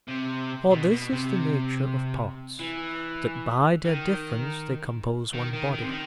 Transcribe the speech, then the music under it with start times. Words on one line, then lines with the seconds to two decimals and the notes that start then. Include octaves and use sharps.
For this is the nature of parts--that by their difference they compose one body.
0.08 C3
0.71 B2
0.91 B2
1.12 C3
2.59 E3
3.85 D#3
5.33 D#3
5.53 D#3
5.74 D#3
5.82 C3
5.90 D#3